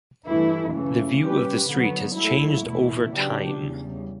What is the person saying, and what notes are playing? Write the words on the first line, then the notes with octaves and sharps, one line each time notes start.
The view of the street has changed over time.
G2 E3 A3 E4
F#2 C#3 E3 A3
G3 C#4 G4 B4
D3 F#3 B3
F#3 A3 E4
E2 B2 A3 E4
C#3 F#3 B3 D4 G4
E2 C#3 G3